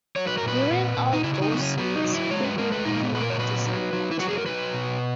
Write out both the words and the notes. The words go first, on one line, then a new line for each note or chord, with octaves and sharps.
During all those years, Whitman couldn't decide what to reply.
F#3 C#5
B4
A#4
A#2 B4
A#2
A#2
D#4
C#3 E4
E4
D#4
F#3 B3
C#4
F#3 B3
D#4
F#3
E4
G#3 C#5
B4
G#3 A#4
B4
A#2 D#4
A#3
B3
A#2 B4
A#4
C#5
F#3 B4
F#3
F#3
E4
F#3 F#4
G#4
A#4
F#3 B4
B2